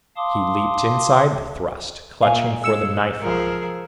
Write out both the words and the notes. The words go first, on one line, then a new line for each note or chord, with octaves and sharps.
He leaped inside the thrust, clutching for the knife arm.
F5 A5 C6 D6 D#6
A#2 A#3 F5 G#5
G#3 E6 C#7 E7
F3 G#4 A#4